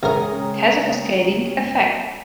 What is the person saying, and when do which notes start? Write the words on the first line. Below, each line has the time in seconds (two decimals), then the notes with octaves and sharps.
It has a cascading effect.
0.03 A1 C#3 G#3 A#4 C#5 G5 A#5 D#6